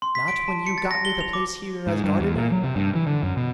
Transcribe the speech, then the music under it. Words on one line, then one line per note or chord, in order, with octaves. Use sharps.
"Not when you got me the place here as gardener?"
C6
B6
D7
A5
C#7
A6
A#6
G7
F7
D6
G#2
G2
E2
A#2
F#3
C3
G2
E3
D3
F#2
B2